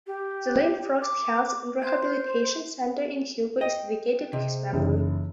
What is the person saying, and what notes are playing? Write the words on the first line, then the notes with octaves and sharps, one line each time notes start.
The Lane Frost Health and Rehabilitation Center in Hugo is dedicated to his memory.
G4
D6
C5
D#5 G5
C3 G#4 C5 D#5
F#1 C#3 E3 D#4